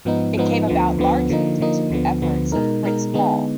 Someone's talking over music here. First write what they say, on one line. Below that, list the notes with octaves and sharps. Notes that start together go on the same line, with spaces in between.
It came about largely due to the efforts of Prince Paul.
G#2 F3 B3 D#4
G#2 F3 B3 D#4
D2 D3 F3 B3
D2 D3 F3 B3
D3 F3 A#3 D#4
D3 F3 A#3 D#4
D2 D3 F3 B3
D2 D3 F3 B3
B2 G#3 D#4 A#4
B2 G#3 D#4 A#4
D3 G#3 B3 D#4